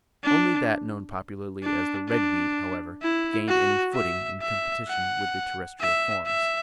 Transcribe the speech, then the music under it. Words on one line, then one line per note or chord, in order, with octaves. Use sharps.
Only that known popularly as the red weed, however, gained any footing in competition with terrestrial forms.
D4
D4
D4
E4
F#4
E5
E5
F#5
E5
E5